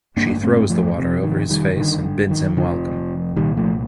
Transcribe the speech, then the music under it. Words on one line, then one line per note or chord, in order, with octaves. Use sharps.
She throws the water over his face and bids him welcome.
A1 G2 D3 A#3 D4
A3 C4
F3 A3
F1 F2 C3
D#3
D#3 G3
G1 G2 D3 D#3
D3
D#3
F1 F2 D3 F3
C2 A#2 D#3 G3
F3 A3